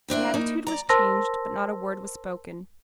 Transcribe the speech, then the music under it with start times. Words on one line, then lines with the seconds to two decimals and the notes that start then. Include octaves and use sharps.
The attitude was changed, but not a word was spoken.
0.08 D2 C4 D4 E4
0.34 A#3 D#4
0.67 D5 A#5
0.89 A#4 C5 A5 C6 E6 A#6